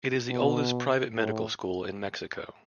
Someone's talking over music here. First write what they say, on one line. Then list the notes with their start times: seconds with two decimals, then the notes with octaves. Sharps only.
It is the oldest private medical school in Mexico.
0.30 B2
1.15 A2